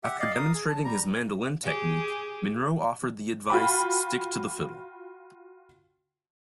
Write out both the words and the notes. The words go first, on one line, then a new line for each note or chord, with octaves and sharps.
After demonstrating his mandolin technique Monroe offered the advice: "stick to the fiddle".
G4 E5 F#5
D5 D#5 F5
A#4 F5 D#6
G#4
A5
G3 A#5
G4 G#4
F4 F#4 G5 B5